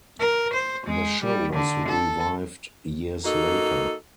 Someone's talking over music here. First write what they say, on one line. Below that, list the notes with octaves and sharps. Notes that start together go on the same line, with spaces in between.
The show was revived years later.
A#4
C5
G#3
G3
D3
A4
A#3 D#4 F#4 A4